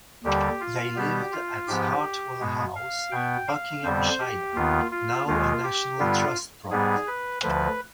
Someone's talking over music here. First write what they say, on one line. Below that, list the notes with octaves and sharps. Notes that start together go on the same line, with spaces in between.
They lived at Hartwell House, Buckinghamshire, now a National Trust property.
D#2 D3 G3 G4
F4
B2 G3 B3 G4
F4
G#2 F3 B3 G4
B2 G#3 B3
F5
B2 B3 G5
F5
F2 D3 G3 B3 C5
G4
D#2 D#3 B3 F4
F4
D#2 D#3 G#3 F4
G4
G2 D3 G3 B3 F4
G#2 G3 B3 G#4
B4
D2 D3 F3 B4